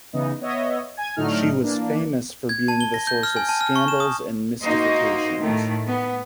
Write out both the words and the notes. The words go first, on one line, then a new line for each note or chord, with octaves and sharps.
She was famous for being the source of scandals and mystifications.
C#3 E3 B3 D#4
B3 C#5 D#5 E5
G#5 G#6
A2 D3 F#3 A3 D#4 F6
E3 A#3 D4
G#6
A5
G7
A#6
G6
F6
G#5
A5
F6
C#6
E7
D#6
A#3 D#4 F#4 C5 D#5
A2 D#3 A3
B3